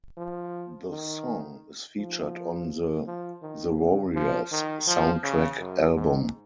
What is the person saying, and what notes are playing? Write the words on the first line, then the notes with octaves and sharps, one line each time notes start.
The song is featured on the "The Warriors" soundtrack album.
F3
D#3
F3
F3
D#3
C#3
F3
D#3
F3
C#3
F#2
G#2